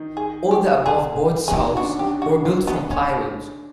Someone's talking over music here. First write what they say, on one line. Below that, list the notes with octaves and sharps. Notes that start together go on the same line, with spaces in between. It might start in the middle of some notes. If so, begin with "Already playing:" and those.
All the above boats' hulls were built from plywood.
Already playing: D#3 D#4
G#4
G4
G#4
E4 G#4
D#3 D#4 G4
C#4
D3 D4 F#4
D3 D4 G4
F#4
F4
B3
C#4